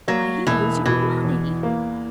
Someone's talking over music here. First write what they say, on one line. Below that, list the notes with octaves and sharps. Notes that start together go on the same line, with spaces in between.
Why, he owes you money!'
F#3 A#3
E1 E3
B2 E3
E2
A#3